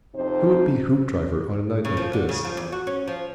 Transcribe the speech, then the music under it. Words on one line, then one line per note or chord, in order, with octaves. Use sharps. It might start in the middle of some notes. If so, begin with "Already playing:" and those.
Who would be Hoopdriver on a night like this?
F2 C3 D#4 C5
C#3
F3
D3
C#3
F3
E2
F#4
C#4
F3